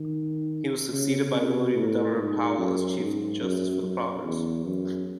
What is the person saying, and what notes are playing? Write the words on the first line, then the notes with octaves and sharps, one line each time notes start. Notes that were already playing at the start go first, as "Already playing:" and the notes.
He was succeeded by William Dummer Powell as Chief Justice for the province.
Already playing: D#3
C#3
C3
A2
G#2
F#2
G#2
F#2
F#2
E2
F#2